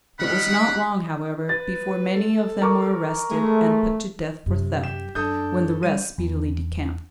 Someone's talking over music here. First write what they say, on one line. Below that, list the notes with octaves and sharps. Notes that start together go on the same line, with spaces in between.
It was not long, however, before many of them were arrested and put to death for theft, when the rest speedily decamped.
D#3 G3 F#5 B5
B4 A6
A4
A#4 C#6 D6
G#3 A3
F#2 C3
G4 E7
F#2 D4 A4 D#6 G6
G3 D#7
E2